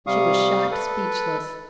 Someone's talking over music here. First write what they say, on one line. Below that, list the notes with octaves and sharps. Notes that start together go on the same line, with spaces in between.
She was shocked speechless.
C3 G3 F5 C#6 D#6
A4 B4